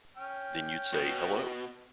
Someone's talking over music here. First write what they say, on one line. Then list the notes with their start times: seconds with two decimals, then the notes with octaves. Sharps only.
Then you'd say, 'Hello!'
0.17 C#4 G5 F6
0.93 B2